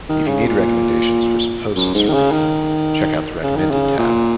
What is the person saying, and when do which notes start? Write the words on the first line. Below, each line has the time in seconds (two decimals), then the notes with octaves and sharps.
If you need recommendations for some posts to read, check out the recommended tab.
0.09 D#3
0.28 C#3
0.47 A#2
1.76 F#2
1.95 G#2
2.09 D#3
2.14 C#3
2.32 D#3
3.43 C#3
3.57 D#3
3.71 C#3
3.99 A#2